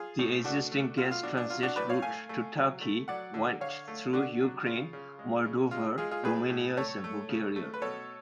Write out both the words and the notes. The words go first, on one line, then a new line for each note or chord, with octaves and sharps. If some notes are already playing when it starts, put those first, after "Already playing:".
The existing gas transit route to Turkey went through Ukraine, Moldova, Romania, and Bulgaria.
Already playing: F4 G#4
A2
A3 D4 F#4
A3
B2 F4
F4
B2 D4
D4
F#3 F4
D4 F#4
A2 B4 D5
C#5 F5
A3 F5 G#5
A3
F#3
A3
F#3 D5 F#5
D3
D3 C#5 F5
A3
D3 D4 F#4
F#3
C#3 F4
C#3
G#3
C#3
G#3 F4
G#3 F4 G#4
F4 G#4
A2 G#4 B4
A2
A3 A4 C#5
A3
C#3
A3
B4
B2 A4 C#5